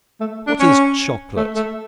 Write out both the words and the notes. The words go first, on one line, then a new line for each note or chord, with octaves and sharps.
What is Chocolate?
A3
D4
C#4
A3
A3